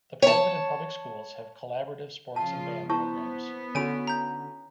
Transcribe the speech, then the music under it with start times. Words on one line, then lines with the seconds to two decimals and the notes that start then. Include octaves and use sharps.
The private and public schools have collaborative sports and band programs.
0.22 C#5 A5
2.36 C#3 F3 F4 A5 D#7
2.89 B3 E4 C5 A5 C#6
3.75 D3 C#4 F#4 C#5 G#5 B5 D7
4.07 A#5 G6